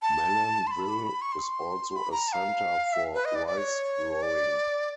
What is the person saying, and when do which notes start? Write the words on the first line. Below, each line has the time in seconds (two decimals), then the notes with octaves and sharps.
Malanville is also a centre for rice-growing.
0.02 A5
0.67 C6
0.71 B5
1.22 C#6
1.32 C6
1.96 B5
2.12 A#5
2.28 A5
2.33 F5
2.93 E5
3.15 B4
3.25 D#5
3.35 D5
3.47 D5
3.58 C#5
4.23 D5